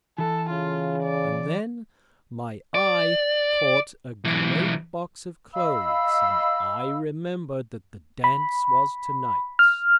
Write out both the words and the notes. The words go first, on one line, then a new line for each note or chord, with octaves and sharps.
And then my eye caught a great box of clothes, and I remembered that the dance was to-night.
E3 A4
C#3 F4
D5
D5
B1 E3
D#5 F5 B5 E6
B5
F6